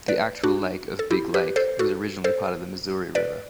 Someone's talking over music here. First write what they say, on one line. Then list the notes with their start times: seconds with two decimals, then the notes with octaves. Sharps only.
The actual lake of Big Lake was originally part of the Missouri River.
0.08 B4 D5
0.44 D4 F#4
0.99 A4
1.11 E4 G4
1.34 G4 B4
1.56 A4 C5
1.79 F#4 A4
2.24 A4 C5
3.15 B4 D5